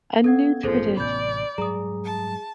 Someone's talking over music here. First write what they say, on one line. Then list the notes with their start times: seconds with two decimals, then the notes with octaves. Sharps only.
a new tradition.
0.24 B3 C#4 A4 F#5 G#6
0.63 A1 G2 F3 G#4 A4 C5
0.97 A1 A2 C3 D5 B5 G6
1.58 G#2 F#3 G3 G#4 A#5 D#6
2.03 A5